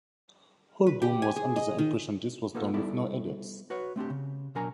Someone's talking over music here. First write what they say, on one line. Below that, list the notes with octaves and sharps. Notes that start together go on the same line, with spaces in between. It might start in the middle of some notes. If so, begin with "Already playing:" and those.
Hoolboom was under the impression this was done with no edits.
B4
G4
G#5
G#4
D#5
D#3
A#3 B3 D#4 F4 A4
G3 B3 E4 A4 D5
F#4 B4 C#5
A3 C4 D4 G4
C#3
B2 F#3 D4 A#4 G#5 A#5